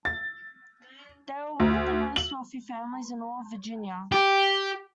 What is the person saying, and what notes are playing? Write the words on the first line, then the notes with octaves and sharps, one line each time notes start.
They were one of the most wealthy families in all of Virginia.
A6
D2
F#7
G4